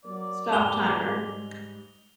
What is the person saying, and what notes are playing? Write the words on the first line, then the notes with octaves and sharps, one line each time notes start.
Stop timer.
F#3 A#3 D5
G#2 G3 G#3 F7 G7